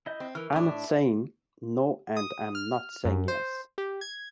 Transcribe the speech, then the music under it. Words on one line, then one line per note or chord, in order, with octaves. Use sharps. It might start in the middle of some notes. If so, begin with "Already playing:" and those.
I'm not saying no and I'm not saying yes.
E4 D#5 G6
C4
E3 A#4 F6
A2 D4 E5 D6
D#6
F6
F#2
C5
G4
G#6